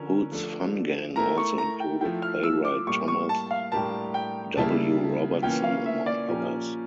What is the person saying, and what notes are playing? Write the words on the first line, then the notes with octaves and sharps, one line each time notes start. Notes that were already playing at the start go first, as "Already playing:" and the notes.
Hood's "Fun" gang also included playwright Thomas W. Robertson, among others.
Already playing: D3 F3 C#4 A#4
F3 A3 D4 A4
A3 E4 A#4 A#5
C#6
A#5
G5
F3 A3 E4 G5
F6
E6
D6
A2 G3 A#3 C#6
C#6
A5
F5
A2 G3 D4 G4 A#4 A5
G5
C#3 G3 A#3 E4 A5
E3 A#3 C#4 F4 G5
F5
E5
D5
A#2 F3 C#4 G4 A#4